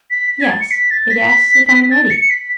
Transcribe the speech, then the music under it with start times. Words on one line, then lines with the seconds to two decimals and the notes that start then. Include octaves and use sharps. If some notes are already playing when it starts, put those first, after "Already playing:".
"Yes; it asks if I am ready."
0.11 B6
0.31 B6
0.41 G#6
0.50 A6
0.61 C#7
0.71 B6
0.91 A6
1.11 B6
1.91 A6
2.10 C#7
2.21 C#7
2.30 B6